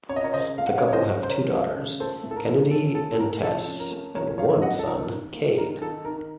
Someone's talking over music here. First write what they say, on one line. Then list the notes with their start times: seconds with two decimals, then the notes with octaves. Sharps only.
The couple have two daughters, Kennedie and Tess, and one son, Kade.
0.09 C#4 C#5
0.16 D#5
0.24 A#4 C#5
0.33 C#3 C5 D#5
0.58 A3 F5
0.67 F#5
0.77 C#5 F5
0.81 C#3
0.88 C#5
0.93 C5 D#5
1.05 C#4
1.23 C5
1.29 C#3 A#4 C#5
1.52 A3
1.77 C#3
2.00 A3 A4 C5
2.23 A2
2.31 A4
2.36 A#4
2.47 F3
2.71 C#4 A4
2.95 A3 A4
3.14 A4
3.19 A2 A#4
3.43 F3 A4
3.67 C#4
3.80 A#4
3.91 A3
4.15 A2 A#4 C#5
4.38 F3 C#5 F5
4.62 C#4 D#5 F#5
4.79 A4
4.87 D#4 A#4
5.10 D#3
5.34 A#3
5.58 D#3 A#4
5.81 D#4 A4
6.05 D#3 A#4